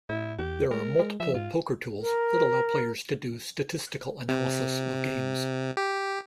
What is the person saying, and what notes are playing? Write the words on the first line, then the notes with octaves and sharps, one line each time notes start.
There are multiple poker tools that allow players to do statistical analysis of games.
A2 E4
E2 G4
G#3 A#4
G#3
F3 E5
G#2 F4
A#4
C3
G4